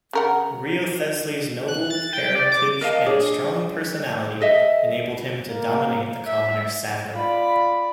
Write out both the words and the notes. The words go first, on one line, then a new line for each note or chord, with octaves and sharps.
Wriothesley's noble parentage and strong personality enabled him to dominate the commoner Sadler.
C#3 A#4 F#5
F#6
A6
G5
D5
D6
A#4 D#5 F5 A5
D4 G#4 C#5
A4 D#5 E5
A#3
E5
F4 D5 B5